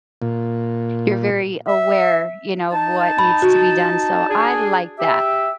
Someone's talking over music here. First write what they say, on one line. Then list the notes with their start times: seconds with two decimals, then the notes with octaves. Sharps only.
you're very aware, you know, of what needs to be done, so I like that.
0.22 A#2
1.68 E5
2.72 D#4 A5
3.19 B5
3.42 F#4
4.29 D4 G#4
4.99 G4 E5